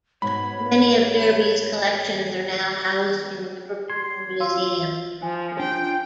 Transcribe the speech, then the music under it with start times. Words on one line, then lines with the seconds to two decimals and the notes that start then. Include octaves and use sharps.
Many of Derby's collections are now housed in Liverpool museum.
0.22 G#2 B2 C#5 B5
3.90 C6 G#6 C7
4.40 F4 F5 C6 E6
5.22 F3 G#5
5.60 D4 F4 G5